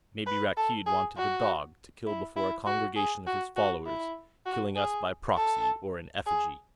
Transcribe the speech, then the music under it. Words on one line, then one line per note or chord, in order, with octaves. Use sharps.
Maybe Rakkeed wanted the dog, to kill before a congregation of his followers, killing us by proxy, or in effigy.
B4
A4
G#4
F#4
E4
E4
F#4
G#4
F#4
F#4
E4
F#4
G#4
A4
G#4